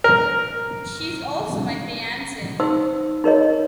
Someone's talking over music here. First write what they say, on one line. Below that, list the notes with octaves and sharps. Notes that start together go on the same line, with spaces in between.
She is also my fiancee.
A#4
D#4 C5 E6
D#4 A#4 C#5 D#5